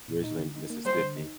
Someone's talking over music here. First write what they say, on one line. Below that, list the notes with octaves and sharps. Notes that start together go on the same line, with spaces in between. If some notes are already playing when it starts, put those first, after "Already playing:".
originally Mississippi.
A#2
D#4
D3
D#4
A#3
G3 C5
D3
D#4